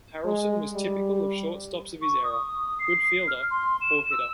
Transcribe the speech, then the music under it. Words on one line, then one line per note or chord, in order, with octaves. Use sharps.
Harrelson was typical of shortstops of his era: good fielder, poor hitter.
G#3
G3
C#6
D#6
C7
F6
C6
E7
E6